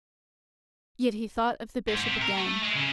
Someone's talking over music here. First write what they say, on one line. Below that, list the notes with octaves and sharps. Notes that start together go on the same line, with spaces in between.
Yet he thought of the bishop again.
G#2
C3
A#4
A3
G#3
C#3